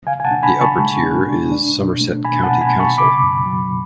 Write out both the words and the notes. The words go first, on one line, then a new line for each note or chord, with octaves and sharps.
The upper tier is Somerset County Council.
C#3 F5 G#5
G#5
F#5 A5
D4
G#5 B5
C#3
A5 C#6
G#3
D4
D4
D4
B2
A3
B2 G#5 B5
F#5 A5
B2
G#5 B5
B2
A5 C#6
C#3 B5 D6
F#2
F#3